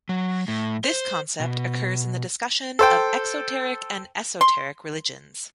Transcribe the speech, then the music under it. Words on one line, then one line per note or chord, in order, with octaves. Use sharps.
This concept occurs in the discussion of exoteric and esoteric religions.
F#3
A2
C5
B2
A4 C5 G5
C6